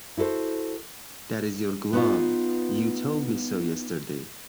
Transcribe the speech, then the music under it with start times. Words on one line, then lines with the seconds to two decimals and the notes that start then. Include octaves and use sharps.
That is your glove; you told me so yesterday.
0.17 E4 F#4 A4 B4 C5
1.93 B3 D#4 F4